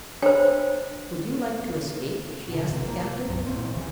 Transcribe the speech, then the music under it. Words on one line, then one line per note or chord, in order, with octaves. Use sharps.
"Would you like to escape?" she asked the captive.
D4 C5 C#5
B2 D3
G#1 G#2 C3
A#3
C2 G2 F#3
A#2 E3 C4
D1 C#2 E3